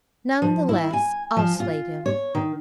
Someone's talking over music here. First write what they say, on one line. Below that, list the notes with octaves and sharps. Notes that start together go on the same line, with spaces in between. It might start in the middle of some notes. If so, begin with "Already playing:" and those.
None the less I'll slate him.
F3
E4
G#5
F3
F4
C#5
D#3